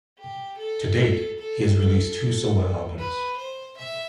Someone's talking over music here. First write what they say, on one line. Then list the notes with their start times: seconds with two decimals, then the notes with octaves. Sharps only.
To date, he has released two solo albums.
0.19 G4
0.58 A4
1.39 A4
1.79 A4
2.99 B4
3.37 C5
3.78 E5